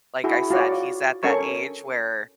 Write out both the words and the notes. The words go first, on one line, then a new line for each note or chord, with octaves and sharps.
like I said, he's at that age where
E4 F#4 G#4
F4 F#4 C#5 D5
C#4 A4 A#4 C#6